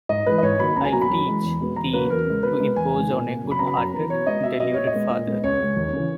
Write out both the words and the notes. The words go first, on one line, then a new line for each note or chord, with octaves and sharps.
I’ll teach thee to impose on a good-hearted, deluded father.
G#2 D#5
E3 G#3 B4
D#5
G#2 C#5
D#3 F#3 A#3 B5
C#2 A#5
G#5
B2 F#3 A#3 A#5
B5
F#2
E3 G#3
E2
B2 G#3 B3
E2 A#5
C#3 F#3 A#3 B4
E2 A#4
C#3 G#3
B2 B4
G#3 B3
E2 G#5
D#3 G#3
A#2
A#3
F#2
B5
C#3 F#3 B3 A#5
B5
F#2 A#5
E3 B3
B2 C#5
G#3 B3 D#5
B2 E5
F#3 B3 D#5
A#2 C#5
D#5
G#3 B3
A#2
G#3 B3
C#2 C#5
C#3 G#3
D#2
C#3 E3